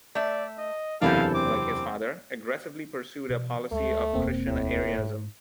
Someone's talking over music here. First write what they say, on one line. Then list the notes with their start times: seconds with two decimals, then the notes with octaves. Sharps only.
Pap, like his father, aggressively pursued a policy of Christian Arianism.
0.15 A3 D5 E5
0.58 D#5
1.02 F#1 E2 C3 D4 E4 A4 C5 F5
1.35 C4 D6
3.29 B2 E3
3.72 D2 G#3 A3
4.13 E1 A#3 C4
4.47 D2 A2
4.97 G#2